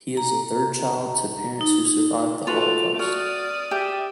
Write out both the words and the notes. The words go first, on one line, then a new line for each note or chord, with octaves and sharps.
He is a third child to parents who survived the Holocaust.
A#5
D#4
A3 F4 F#4 B4 F7
F#4 D5 D#6 F6
G4 E5